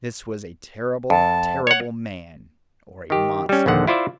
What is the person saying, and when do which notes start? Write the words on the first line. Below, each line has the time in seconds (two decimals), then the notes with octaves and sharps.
This was a terrible, terrible man or a monster.
1.10 F2 A5
1.67 C#5 F#5
3.10 D#3 G4
3.49 G3 C#4
3.66 A#1 D#2 D3 F#5
3.87 E4 F4 C5 D5 E5